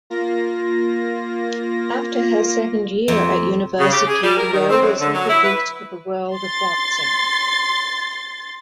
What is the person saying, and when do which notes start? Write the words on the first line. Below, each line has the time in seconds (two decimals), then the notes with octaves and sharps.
After her second year at university, Ro was introduced to the world of boxing.
0.10 A#3 F4 A#6
3.08 F2
3.78 C#3
3.92 G4
4.07 G#4
4.23 G3
4.36 A#4
4.52 D#3
4.67 C4
4.82 F#2
5.00 D3
5.14 F#3
5.29 E4
5.42 B4
6.35 C6 A6